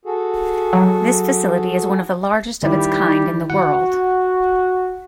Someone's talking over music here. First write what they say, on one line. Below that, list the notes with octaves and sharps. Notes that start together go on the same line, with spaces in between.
This facility is one of the largest of its kind in the world.
F#4 G#4 A4
F#3
D#3 G3 E4
F#4 F#5